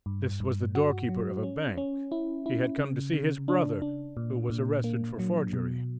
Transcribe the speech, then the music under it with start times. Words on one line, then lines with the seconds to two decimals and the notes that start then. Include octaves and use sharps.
This was the doorkeeper of a bank; he had come to see his brother, who was arrested for forgery.
0.06 G2
0.40 G2
0.75 F#4
1.09 F#3
1.43 C#4
1.78 C#4
2.12 E4
2.46 E4
2.79 C#3
3.14 C#3
3.48 D4
3.82 D4
4.17 A#2
4.50 A#2
4.84 A#3
5.19 F#3
5.53 B2